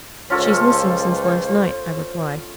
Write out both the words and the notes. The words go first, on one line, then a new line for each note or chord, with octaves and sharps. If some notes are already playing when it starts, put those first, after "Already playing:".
"She's missing since last night," I replied.
C#2 C#4 F4 A4 C5